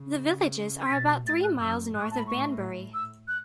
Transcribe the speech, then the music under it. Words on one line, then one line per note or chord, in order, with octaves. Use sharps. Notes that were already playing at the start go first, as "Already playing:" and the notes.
The villages are about three miles north of Banbury.
Already playing: C#3
B6
B2 A6
A2 A6
F#6
F#2 E6
A2 F#6
C#6
A5
B5
C#6
E6
F#6